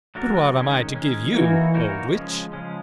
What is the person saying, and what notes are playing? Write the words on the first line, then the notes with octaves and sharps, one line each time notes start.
But what am I to give you, old witch?
F#3 A3 D4 F#4 A#4
D#3 G#3 C#4
D#3 G#3 C#4
E3 A#3 D#4 F#4 A#4 C#5
A#3 D#4 F#4 A#4 C#5
C#3 F3 G#3 C#4
C#3 F3 G#3 C#4